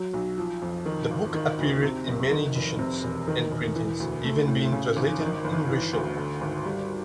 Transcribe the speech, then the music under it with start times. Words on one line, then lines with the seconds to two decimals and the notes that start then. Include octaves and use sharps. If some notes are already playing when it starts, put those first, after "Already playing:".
The book appeared in many editions and printings, even being translated in Russian.
Already playing: F#3
0.14 B1
0.38 F3
0.62 F2
0.86 D#3
1.10 G#1
1.34 D#3
1.59 D2
1.83 C3
2.07 F#1
2.31 D#3
2.55 F1
2.79 C3
3.04 E1
3.28 D#3
3.52 E1
3.76 E3
4.00 D2
4.24 A3
4.48 A2
4.72 C#3
4.96 G#1
5.21 D#3
5.44 G1
5.69 E3
5.93 D2
6.17 D3
6.41 G#1
6.65 G3